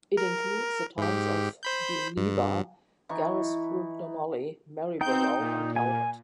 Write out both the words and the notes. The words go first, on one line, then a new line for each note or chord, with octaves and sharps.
It includes the towns of Bealiba, Carisbrook, Dunolly, Maryborough and Talbot.
A#4
G#2 G4
C5 B5 G6
G2
E3 D#4 C#6
C4 D#4 G5 G6
A#2
G#5